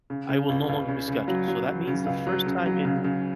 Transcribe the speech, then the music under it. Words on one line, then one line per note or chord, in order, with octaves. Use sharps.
I will no longer be scheduled. So, that means the first time in
C#3
C#3
C#2
C#2
C#3
C#3
F#3
F#3
F#3
C#3
C#2
F#3
C#3
F#3
C#3
C#3